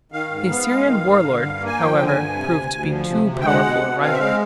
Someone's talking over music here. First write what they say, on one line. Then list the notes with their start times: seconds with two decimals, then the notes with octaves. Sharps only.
The Assyrian war-lord, however, proved to be too powerful a rival.
0.12 D#3 F5
0.30 G#2
0.50 B3
0.68 G#3
0.86 D#3
1.04 G#2
1.23 D3
1.42 G2
1.60 A#3
1.66 G#5
1.78 F3 G5
1.97 D3
2.07 G#5
2.15 G2
2.34 C3
2.53 D2
2.71 D2
2.90 F3
3.09 C3
3.28 D2
3.40 G5
3.45 G#3 F#5
3.64 B2
3.83 B2
4.01 C4 F5
4.13 E5
4.19 G#3 F5